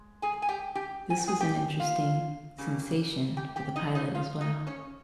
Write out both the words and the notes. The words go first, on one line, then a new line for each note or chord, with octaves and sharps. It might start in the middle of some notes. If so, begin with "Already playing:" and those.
This was an interesting "sensation" for the pilot as well.
Already playing: G#3
G#4 G#5
G#5
G4 G5
G4 G5
G#5
G5
G#4 G#5
G4 G5
F4 F5
C#3 G3 A#3
G4 G5
G4 G5
D#4 D#5
D#4 D#5
F4 F5
D#4 D#5
C#4 C#5